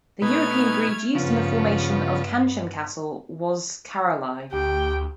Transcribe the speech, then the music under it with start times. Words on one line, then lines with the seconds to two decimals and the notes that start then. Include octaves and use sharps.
The European breed used in the formation of Canchim cattle was Charolais.
0.22 B2 A3 D#4 B4 F6 G#6
1.15 G2 C#3 F3 B3
4.53 D2 G4 G5